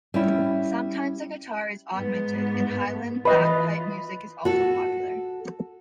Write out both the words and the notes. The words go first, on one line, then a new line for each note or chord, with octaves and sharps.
Sometimes a guitar is augmented, and Highland bagpipe music is also popular.
G3 C#4 E4
G#2 B3
E3 F4 B4 D#5 B5
F#4 A4